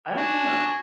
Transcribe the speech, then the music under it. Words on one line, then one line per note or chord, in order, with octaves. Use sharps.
I don't know.
D4 F#4 G#5